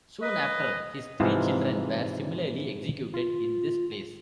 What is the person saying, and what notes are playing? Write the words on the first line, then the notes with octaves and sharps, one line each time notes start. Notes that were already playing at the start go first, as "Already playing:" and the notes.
Soon after, his three children were similarly executed in this place.
B4 D#5
G#2 C3 E3 F3 F5
F4